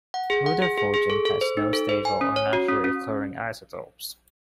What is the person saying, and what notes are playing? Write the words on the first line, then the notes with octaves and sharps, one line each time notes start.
Rutherfordium has no stable or naturally occurring isotopes.
F#5
G#4
F#5
G#4
G#4
G#4
A4
A4
C5
D#4
A4
C5
G#5
C#4
C#5
F#4
C#4
C#4